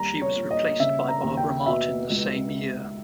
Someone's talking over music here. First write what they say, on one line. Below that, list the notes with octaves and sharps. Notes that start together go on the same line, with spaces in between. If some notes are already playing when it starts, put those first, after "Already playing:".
She was replaced by Barbara Martin the same year.
Already playing: D#2 G3 A#5
C#5
A#2
D#5
C#3 E5
A#5
D#2
G5
B2 E5
C#2